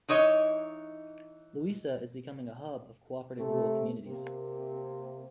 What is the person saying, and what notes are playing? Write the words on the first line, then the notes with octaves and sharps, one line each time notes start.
Louisa is becoming a hub of cooperative rural communities.
E3 D#4 C#5 D#5
C3 A3
C3 A#3